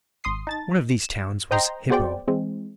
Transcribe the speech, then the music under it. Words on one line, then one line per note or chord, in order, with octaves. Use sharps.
One of these towns was Hippo.
G#1 C6 D#6 C7
D#4 A5 A6
E7
C5 D#5 G5 A#5 C6
B3 F#4 G#4 C5 D5 G5
E3 G#3 C4